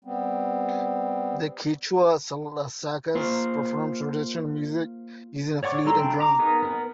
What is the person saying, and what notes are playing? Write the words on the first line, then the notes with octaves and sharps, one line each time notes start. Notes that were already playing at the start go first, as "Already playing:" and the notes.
The Quichua Salasacas perform traditional music using a flute and drum.
G3 B3 C4
A#3 F4 C5
C#5 D5 F#5 C#6 D6
F#3 G#3 A4 A#5 C6
D4 E4 G5
A#5 D6
B3 D#4 G#4 A#4
B3 A#4 B4